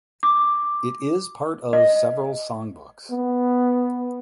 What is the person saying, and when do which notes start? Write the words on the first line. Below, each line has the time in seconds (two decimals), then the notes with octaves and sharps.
It is part of several songbooks.
0.23 D6
1.73 D#5
3.11 B3